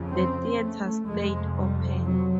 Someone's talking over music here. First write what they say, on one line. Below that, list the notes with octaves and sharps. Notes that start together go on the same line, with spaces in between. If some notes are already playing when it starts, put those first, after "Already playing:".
The theatres stayed open.
Already playing: F2 C#3
C4
A3
F2 C3 G#3
G3
F#3